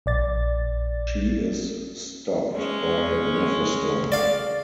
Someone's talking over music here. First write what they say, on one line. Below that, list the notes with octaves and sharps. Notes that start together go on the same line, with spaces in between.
She is stopped by Mephisto.
A#1 D5 A6
G#3 C#4
D5 F5